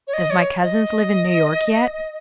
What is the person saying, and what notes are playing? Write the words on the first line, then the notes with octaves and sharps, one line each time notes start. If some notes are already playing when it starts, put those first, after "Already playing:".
Does my cousins live in New York yet?
C#5
D#5
C#5
D#5